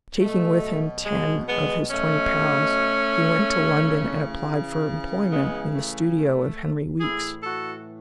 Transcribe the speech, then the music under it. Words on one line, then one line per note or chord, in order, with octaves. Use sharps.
Taking with him ten of his twenty pounds, he went to London and applied for employment in the studio of Henry Weekes.
B2 F#3 A3
G#3
G#3 B3
A3 C#4
C#3 E3
G#3 B3
A3
A3
A2 E3 E4 G#4
F#4 A4